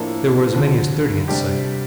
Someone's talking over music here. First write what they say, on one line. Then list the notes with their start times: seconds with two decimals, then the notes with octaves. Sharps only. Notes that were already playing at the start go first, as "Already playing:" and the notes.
There were as many as thirty in sight.
Already playing: A2 F3 A#3 D4 A4
0.52 D2 D3 F3
1.28 C3 G3 D4 G4